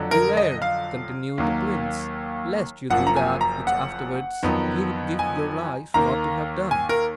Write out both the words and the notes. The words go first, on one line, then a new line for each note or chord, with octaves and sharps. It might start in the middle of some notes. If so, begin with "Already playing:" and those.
"Beware," continued the prince, "lest you do that which afterwards you would give your life not to have done."
Already playing: F2 D3 F#3
A#4
D#5
F5
D#2 D#3 F#3 A#3
F#1 F#2 F3 A#3 F#5
A#5
G#5
A#5
F#5
F2 D#3 F#3 B3
G#5
D#2 D#3 A#3 A#5
G#5
A#4